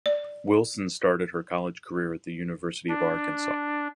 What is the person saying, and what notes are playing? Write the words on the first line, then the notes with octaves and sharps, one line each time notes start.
Wilson started her college career at the University of Arkansas.
D5
D4